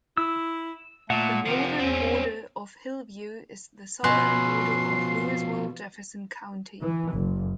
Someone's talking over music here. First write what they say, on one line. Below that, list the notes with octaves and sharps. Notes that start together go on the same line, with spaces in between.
The northern border of Hillview is the southern border of Louisville-Jefferson County.
E4 E6
A#2 A3 F#5
C3 D#3 F3
E2 C4 C#4
B2 F3 C#4 G#5 C6 F#6 C7
E3
F#1